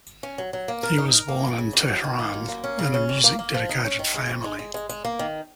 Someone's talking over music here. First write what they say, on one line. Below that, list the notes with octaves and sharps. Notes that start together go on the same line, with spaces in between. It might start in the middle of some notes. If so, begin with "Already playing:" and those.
He was born in Tehran in a music-dedicated family.
C#4
F#3
F#3
A#3
A#4
D#4
A#4
A#3
F2
C#3
F2
F#3
D#3
A#3
F#2
A#3
C#4
C#3
C#4
F2
A#3
A#3
F3
D#4
C#4
D#3
G#3
F2
G#3
G#3
G#3
G#3
A#3
D#3